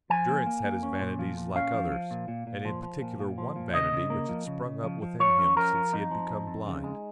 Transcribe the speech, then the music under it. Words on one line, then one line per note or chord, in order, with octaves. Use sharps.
Durrance had his vanities like others; and in particular one vanity which had sprung up within him since he had become blind.
F3 G#5
A#3
A#3
A#3
C#4
A#2
F3
A#2
C#4 F5
F3
F3
A#2
A#2
A#2
F3
F3
A#2
A#2
F3
A#2
C#3 D#5
C#3
A#3
F3
C#3
C#3
F3
F3
F3 C#5
C#4
F3 A#4
F3
F2 D#4
F3
F2
F2
C#3
G#3